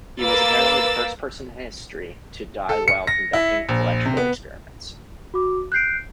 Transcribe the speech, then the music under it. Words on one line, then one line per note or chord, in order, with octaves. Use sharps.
He was apparently the first person in history to die while conducting electrical experiments.
A#3 B4 E6 A6
A4
C#7
A#6
E4
A#1
C3
B3
F#4 D6
F#6 G6 C7 D7